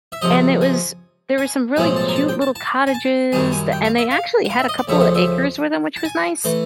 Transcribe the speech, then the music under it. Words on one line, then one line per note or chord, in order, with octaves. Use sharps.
and it was there were some really cute little cottages, th and they actually had a couple of acres with 'em, which was nice.
E5
C#2 C3 F3 D#5
G#5
G#5
B1 A2 F3 G#3 G#5
A5
A#5
A5
G5
A5
A5
G#5
A5
F#2 D#3 G3 G#5
G#5
G5
F5
E5
F5
F#5
F5
E5
D#5
D5
D2 C#3 F3 A3 E5
E5
E5
A5
G#5
E3 A3